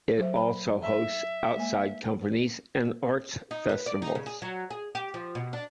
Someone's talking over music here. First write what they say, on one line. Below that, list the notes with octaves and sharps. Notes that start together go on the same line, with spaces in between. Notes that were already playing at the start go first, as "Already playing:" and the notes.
It also hosts outside companies and arts festivals.
F#3 C5 E5
B5
E5
G#3 A#3 G#5
D#4
B4
D5
D#4
C#3
G#4
F#3
G#4
G4
F3
B2
D4